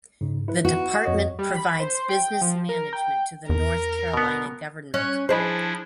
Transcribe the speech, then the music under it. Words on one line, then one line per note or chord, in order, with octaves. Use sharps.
The department provides business management to the North Carolina government.
G#2 C#3
E4 B4
F#4
F2 C#5 D#5
G3
B5
C5
G5
F3
A#4
G5
E2 A#4
B2 B3
C#4 F#6 G#6
F3 D4 E4 G#4 B4 C5 D#5 B5